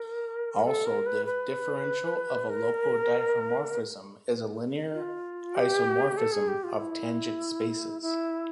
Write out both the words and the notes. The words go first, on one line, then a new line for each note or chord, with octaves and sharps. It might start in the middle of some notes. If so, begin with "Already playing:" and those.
Also, the differential of a local diffeomorphism is a linear isomorphism of tangent spaces.
Already playing: A#4
A4
A#4
B4
B4
A#4
F4
G4
A4
G#4
G4
F4
E4
E4